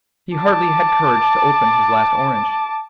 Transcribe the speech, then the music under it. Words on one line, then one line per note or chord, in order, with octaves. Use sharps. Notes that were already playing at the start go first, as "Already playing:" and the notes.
He hardly had courage to open his last orange.
A5 D6